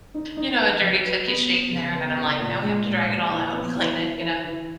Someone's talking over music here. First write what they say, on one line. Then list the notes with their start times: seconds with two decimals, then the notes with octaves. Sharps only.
you know, a dirty cookie sheet in there, and then I'm like, "Now we have to drag it all out and clean it," you know?
0.14 D#4
0.37 D#4
0.60 B4
0.82 F#3
1.05 B4
1.27 B3
1.50 B3
1.72 C#3
1.95 B3
2.18 C#3
2.40 A#2
2.62 G#3
2.85 A#2
3.08 A#2
3.30 E3
3.53 B3
3.76 E3
3.98 E3
4.21 E4
4.44 E3